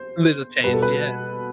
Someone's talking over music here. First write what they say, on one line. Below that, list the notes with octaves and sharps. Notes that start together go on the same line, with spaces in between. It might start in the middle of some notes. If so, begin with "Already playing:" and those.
Little change, yeah;
Already playing: C5
B2 G3 B4
A4
B4